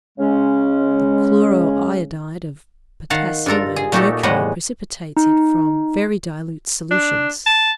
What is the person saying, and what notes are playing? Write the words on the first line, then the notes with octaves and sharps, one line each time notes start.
The chloro-iodide of potassium and mercury precipitates it from very dilute solutions.
C#3 G#3 C#4
D#3 F5 F#5 A5
G2 F4 A4 A#4 A#5
G#4
A#2 A3 D#4 F#4 G4 A4
E2 A2 G3 G#3 D#5 F#5
D#4
D4
A5